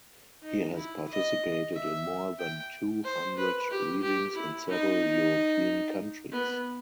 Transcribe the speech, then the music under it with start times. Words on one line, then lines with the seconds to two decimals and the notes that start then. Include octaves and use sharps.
He has participated in more than two hundred readings in several European countries.
0.43 D#4
0.76 E4
1.09 D#5
1.74 E5
2.39 G5
3.05 C5
3.38 B4
3.70 G4
4.02 G4
4.35 E4
4.68 D#4
6.32 B3